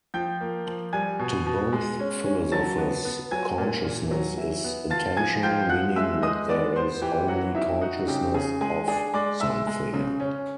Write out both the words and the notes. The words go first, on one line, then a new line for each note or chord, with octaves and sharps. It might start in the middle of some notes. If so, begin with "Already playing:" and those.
To both philosophers, consciousness is intentional, meaning that there is only consciousness "of" something.
F3 G5 G6
A#3
F3
G3 G#5 G#6
B2
B2
G#3
C#4
C#4
F#3 A5 A6
B3
B3
F#3 G#5 G#6
A#2
A#2
F#3
E4
B3
F4 A5 A6
F3 G#5 G#6
F4 G5 G6
F3 F#5 F#6
G#3 E5 E6
G#3 D#5 D#6
B3 D5 D6
B3 C5 C6
E3 G4 G5
F#3 F#4 F#5
D#4 E4 E5
D#4 F#4 F#5
C#3 G4 G5
C#3 G#4 G#5
G#3 G#4 G#5
D4 G#4 G#5
G#3 D5 D6
G#3 E5 E6
G#3
C#3
C#4